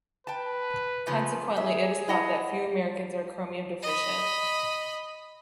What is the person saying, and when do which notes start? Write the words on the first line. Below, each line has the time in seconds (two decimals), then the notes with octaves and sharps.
Consequently, it is thought that few Americans are chromium deficient.
0.27 B4 G5 A5
1.07 C#3 F3 B3
1.57 G#4 E5
2.08 E4 D#5 F#5
3.82 D#5 B5